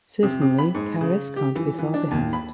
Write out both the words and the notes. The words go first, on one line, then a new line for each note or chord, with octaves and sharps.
Certainly, Kharis can't be far behind.
C3
C3
B5
G#2
C#3
G4
E3
E3
D4
D#2
B5